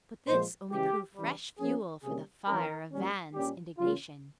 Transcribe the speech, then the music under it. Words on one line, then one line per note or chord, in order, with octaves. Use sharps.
But this only proved fresh fuel for the fire of Van's indignation.
A#2 F3 G#3 C5
C#3 E3 G#3 C#4 G4
C#3 E3 G3
F3 A#3 C#4 G#4
C3 G3 A#3 C#4 G#4
E3 A#3 C#4 A#4
A#2 G3 C#4
A#2 G3 C#4 G4
C#3 E3 A#3 C#4 F4